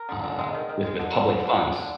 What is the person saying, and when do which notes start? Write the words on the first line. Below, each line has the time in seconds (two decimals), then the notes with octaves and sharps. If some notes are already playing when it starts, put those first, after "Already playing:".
uh, with with public funds.
Already playing: A#4
0.09 D3
0.23 D3
0.39 G#3
0.54 D#3
0.69 D#3
0.84 G#3
0.99 D3
1.15 D3
1.30 D3
1.45 D3
1.60 D3
1.76 D3